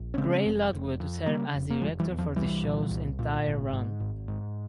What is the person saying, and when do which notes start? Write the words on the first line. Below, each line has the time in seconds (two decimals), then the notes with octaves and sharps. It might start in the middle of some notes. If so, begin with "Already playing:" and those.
Grey Lockwood served as director for the show's entire run.
Already playing: A#1
0.14 C#4
0.18 C#3 G#3 C4
0.45 F1
0.73 F1
1.00 F2
1.27 C#3 G3 A#3
1.54 F1
1.70 A#3
1.82 F1 F3 G#3
2.00 E3 G3
2.09 E2
2.18 F3
2.36 C2 E3 G3
2.63 A#2
2.91 C2
3.19 A#2
3.46 G#1
3.73 G#2
4.00 G#1
4.28 G#2